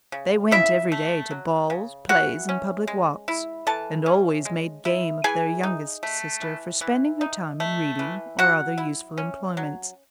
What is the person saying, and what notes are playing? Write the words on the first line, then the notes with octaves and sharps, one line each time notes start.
They went every day to balls, plays, and public walks, and always made game of their youngest sister for spending her time in reading or other useful employments.
C#3
C#3 E4 E5
A3
F#3
C#3
E3 F#4 F#5
C#4
G#3
E4
E3 A4 A5
C#4
G#3
E4
E3 G#4 G#5
D#4
A3
E3
E3
D#4
A3
E3
F#3 F#4 F#5
E4
C#4
F#3